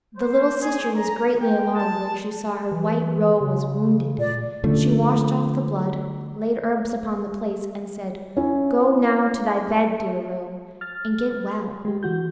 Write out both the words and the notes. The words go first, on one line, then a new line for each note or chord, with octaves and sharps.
The little sister was greatly alarmed when she saw her white roe was wounded; she washed off the blood, laid herbs upon the place, and said, "Go now to thy bed, dear Roe, and get well."
C5
G#4
A#5
G5
A5
E3
C#3
A#2 D5
D3 F3 A3 C#4
C#4 E4
F6 A6
G#3 G4
E3 F#4 G6